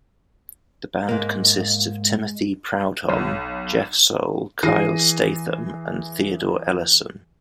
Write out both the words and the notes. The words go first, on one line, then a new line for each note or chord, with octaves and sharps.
The band consists of Timothy Prudhomme, Geoff Soule, Kyle Statham, and Theodore Ellison.
G#2 A#3 D#5
G#3
B1
E3 G#4 A#6 C7 D#7